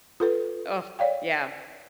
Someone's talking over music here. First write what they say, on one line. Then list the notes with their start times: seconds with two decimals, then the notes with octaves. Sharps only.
Oh, yeah.
0.20 F4 A4 B4
0.99 C#5 D5 F5 G5